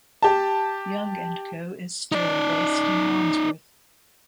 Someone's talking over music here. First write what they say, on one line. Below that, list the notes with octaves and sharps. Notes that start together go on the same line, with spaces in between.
Young and Co is still based in Wandsworth.
G4 A5
D#4 D5